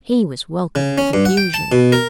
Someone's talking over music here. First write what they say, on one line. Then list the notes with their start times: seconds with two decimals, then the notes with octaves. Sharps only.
He was welcomed with effusion.
0.76 C#3
0.98 C#4
1.13 G2
1.25 F#5
1.37 G5
1.54 A5
1.72 B2
1.92 A#4